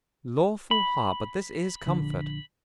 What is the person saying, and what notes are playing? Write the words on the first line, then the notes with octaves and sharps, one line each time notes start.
Lawful heart, but this is comfort.
B5
A#1 D3